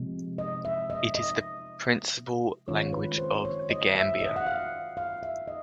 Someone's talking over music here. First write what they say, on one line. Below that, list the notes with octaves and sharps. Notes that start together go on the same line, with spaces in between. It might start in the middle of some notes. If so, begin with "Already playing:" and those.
It is the principal language of the Gambia.
Already playing: C3 F3 G#3
D#5
E5
D#5
D#5
D#3 G#3 C#4 F4 C#5
B4
C5
C#5
D#5
E5
D#5
F#5
F5
F5
E5
D#5